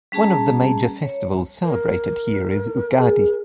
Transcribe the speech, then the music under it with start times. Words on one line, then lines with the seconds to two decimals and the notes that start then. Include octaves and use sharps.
One of the major festivals celebrated here is Ugadi.
0.12 G3 C#4 G#4 A5 A#5
1.02 C#5
1.63 A#4
3.00 G#4